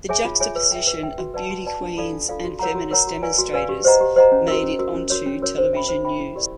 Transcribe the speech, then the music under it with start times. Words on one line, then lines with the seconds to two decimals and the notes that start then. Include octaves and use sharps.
The juxtaposition of beauty queens and feminist demonstrators made it onto television news.
0.09 G#4 C#5 E5 G#5
0.25 F4
0.40 G#4 C#5 E5 G#5
0.55 B4
0.72 E5 G5
0.87 B4
1.03 E5 G5
1.18 F#4
1.34 B4 D5 F#5 A5
1.51 F#4
1.66 B4 D5 F#5 A5
1.81 D4
1.97 F4 A4 D5 F5
2.13 D4
2.29 F4 A4 D5 F5
2.44 F#4
2.59 A#4 C#5 F#5 A#5
2.75 F#4
2.91 A#4 C#5 F#5 A#5
3.07 F#4
3.23 B4 D5 F5 G#5
3.38 F#4
3.53 B4 D5 F5 G#5
3.69 G4
3.85 C5 D#5 F#5 A#5
4.01 G4
4.16 C5 D#5 F#5 A#5
4.32 C#4
4.48 F#4 A#4
4.63 C#4
4.79 F#4 A#4
4.95 C#4
5.10 F#4 A#4 C#5
5.26 C#4
5.42 F#4 A#4 C#5
5.58 C5
5.73 E5 G5 B5
5.89 C5
6.05 E5 G5 B5
6.20 E4
6.36 G4 A#4 D5